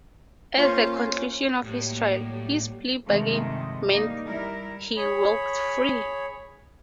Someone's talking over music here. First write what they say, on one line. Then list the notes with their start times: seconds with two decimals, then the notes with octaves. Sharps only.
At the conclusion of his trial, his plea bargain meant he walked free.
0.57 A#3 C#4 F4 C5
1.63 A2 F#3 G3 A#3 G4
3.06 G2 C3 D#3 F3 G#3 A3
3.91 G3 A#3 D#4
4.25 G3 E4 A#4
4.96 G#4 C#5 B5